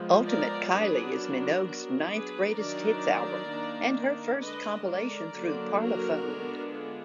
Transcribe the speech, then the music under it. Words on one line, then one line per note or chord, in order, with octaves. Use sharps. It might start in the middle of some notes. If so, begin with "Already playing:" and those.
"Ultimate Kylie" is Minogue's ninth greatest hits album, and her first compilation through Parlophone.
Already playing: F3 G#3 B3
A#4 D5
F#3 B3 D4 G#4 B4
F#4 A#4
F#3 B3 D4
G#4 B4
D#3 F#3 D4 A#4 D5
D#3 A#3 D4
D3 G#3 D4 B4 D#5
A#4 D5
D3 F#3 A#3 D4
F#4 A#4
D3 G#3 B3 D4
F4 G#4